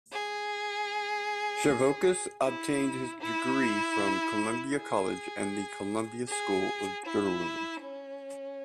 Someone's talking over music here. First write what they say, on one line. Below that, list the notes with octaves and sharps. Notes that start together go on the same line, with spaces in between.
Chervokas obtained his degree from Columbia College and the Columbia School of Journalism.
G#4
E4
E4
G#4
G#4
E4
C#4